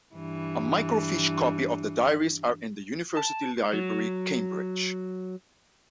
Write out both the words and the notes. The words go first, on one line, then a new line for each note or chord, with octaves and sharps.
A microfiche copy of the diaries are in the University Library, Cambridge.
G2 E3
A5
F#3